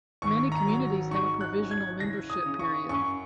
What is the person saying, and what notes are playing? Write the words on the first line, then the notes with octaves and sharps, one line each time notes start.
Many communities have a "provisional membership" period.
G#1 C#6
A#5
F#3
G#2 C#6
F#6
C#4
G#6
F#1 A#6
D#6
C#3
C#6
F#2 C#6